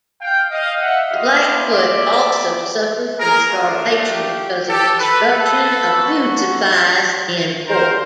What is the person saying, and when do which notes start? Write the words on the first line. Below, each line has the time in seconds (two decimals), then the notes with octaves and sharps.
The Blackfoot also suffered from starvation because of disruption of food supplies and war.
0.20 F5 G5
0.50 D#5 F5
0.79 E5 F#5
1.09 C4 E4 G4 D#5 F5
1.69 D5 E5
3.18 G#4 A#4
3.49 A3 D4 F4
4.08 G4
4.68 G4 A4
4.97 A4 B4
5.28 A4 B4
5.88 A#3 C#4 F#4
7.67 A#4 C5